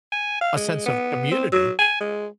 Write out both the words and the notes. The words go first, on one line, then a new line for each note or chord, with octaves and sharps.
a sense of community,
G#5
F5
G#3
B3
C4
F#3
G#5
G#3